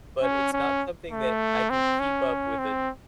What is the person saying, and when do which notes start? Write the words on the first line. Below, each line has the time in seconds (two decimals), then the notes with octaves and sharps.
but it's not something that I can keep up with a
0.22 C#4
0.52 C#4
1.11 A3
1.70 C4
1.99 C#4
2.59 C4